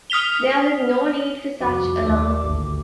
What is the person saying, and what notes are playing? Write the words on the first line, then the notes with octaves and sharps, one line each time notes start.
There was no need for such alarm.
D#6 F6 B6 F7 G7
C2 F2 F#4 D6
D#2 A3 D5 E5
G#1 D2